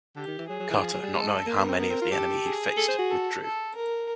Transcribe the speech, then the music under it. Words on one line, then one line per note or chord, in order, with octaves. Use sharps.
Carter, not knowing how many of the enemy he faced, withdrew.
D3 G4
D#3
E3
F#3 G#4
F#3
E3
F3
F#3
G3
G#3 A4
A#3 A#4
B3
C4
B3 A#4
C4
F4
G4 A4
G#4
A4
C5
F#4
A4
A4
A#4